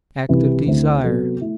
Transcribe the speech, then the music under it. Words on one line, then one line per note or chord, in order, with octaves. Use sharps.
Act of Desire.
C2 C3 E3 G3
D2 D3 A3 C4 E4
C3 F#3 B3 F#4 A4
A3 E4